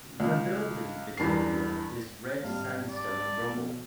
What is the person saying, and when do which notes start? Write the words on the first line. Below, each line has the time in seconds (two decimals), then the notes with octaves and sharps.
The building material is Red sandstone rubble.
0.20 C#2
1.17 E2 G2 A#4 C7
2.43 G#1 G2 G3 F5
2.90 D5
3.49 B2